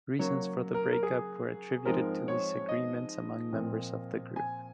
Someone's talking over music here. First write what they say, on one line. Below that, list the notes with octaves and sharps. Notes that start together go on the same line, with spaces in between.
Reasons for the break-up were attributed to disagreements among members of the group.
C#3 F#3 A#3 C#5
A#4
A#4
G#4
G#2 F3 G#3 C4 A#4
C#5
D#5
A#2 F3 C4
G#5